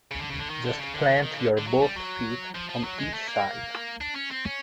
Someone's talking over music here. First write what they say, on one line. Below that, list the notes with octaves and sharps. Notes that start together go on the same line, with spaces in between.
Just plant your both feet on each side.
C#3
D3
C#3
D3
D#3
D3
C#3
D3
D#3
D#3
C#3
D3
D3
F#3
G3
F#3
F3
F3
F#3
G#3
A3
A#3
D4
C#4
C4
C#4